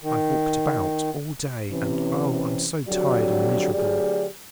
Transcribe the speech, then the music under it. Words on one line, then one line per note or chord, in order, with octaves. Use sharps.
I've walked about--all day--and oh, I'm so tired and miserable!
D#3
C3 E3 C#4
F2 D3 F#3 F#4 G4 D5
D2 F#3 G4 G#4 D5